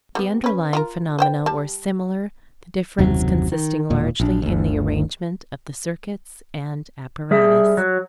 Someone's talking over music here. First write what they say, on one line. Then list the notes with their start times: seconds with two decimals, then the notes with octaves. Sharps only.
The underlying phenomena were similar, the difference consisting largely in the arrangement of the circuits and apparatus.
0.15 G3 A#3 B3
0.44 C#4 B4
0.73 F4 G4 A#4
1.19 B4 C5 G5
1.46 G3 A5
2.98 F#1 D#2 C3 F#3
3.52 D#3
3.90 E1 A#2
4.20 A#1 D4
4.42 G1 D2
7.31 G3 G#4 E5
7.77 F#3